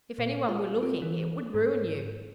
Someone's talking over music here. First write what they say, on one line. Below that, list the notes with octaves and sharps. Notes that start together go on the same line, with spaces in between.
If any one were looking, it would ruin you.
A#2
F4
C4
E3
G#2